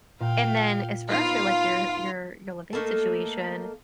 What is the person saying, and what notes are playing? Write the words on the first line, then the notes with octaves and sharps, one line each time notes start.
and, then, as far as your, like, your your your living situation,
A#2 F5 G5
B3 D#4 F4 A#4 F5
A3 A#3 D#4 A4